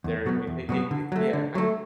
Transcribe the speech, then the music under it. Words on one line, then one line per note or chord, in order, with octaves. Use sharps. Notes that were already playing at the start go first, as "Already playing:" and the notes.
they're they they they they yeah, I
E2
B2 F#3 B3
E2
B2 F#3 B3
D3
F#3 A3
D3
F#3 A3